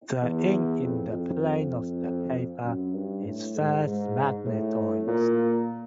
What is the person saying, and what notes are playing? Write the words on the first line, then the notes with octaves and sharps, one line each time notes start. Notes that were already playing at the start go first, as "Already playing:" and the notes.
The ink in the plane of the paper is first magnetized.
E2
F2
F2
F2
F#2
G2
A2
G#2
G#2
A2
A#2